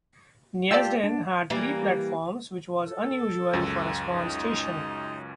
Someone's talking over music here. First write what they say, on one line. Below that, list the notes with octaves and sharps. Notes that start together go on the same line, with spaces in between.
Neasden had three platforms, which was unusual for a small station.
F4 G4 D5 A5 C6 E6
D4
E3 G3 A#3
A4
C#2 F#2
D#4